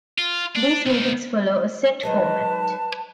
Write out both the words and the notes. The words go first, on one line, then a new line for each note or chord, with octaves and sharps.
These meetings follow a set format.
F4
D4
C2 D#3
D#3 F#3 G#3 B4 A5